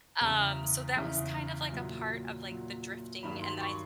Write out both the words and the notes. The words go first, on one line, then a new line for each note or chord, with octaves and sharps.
um, so that was kind of like, a part of like, the drifting, and then I
E2 C#3 E3 A#5
E2 C#3 E3
A#2 F#3
A#2 F#3
G2 D#3 F#3 B5
C6
C#6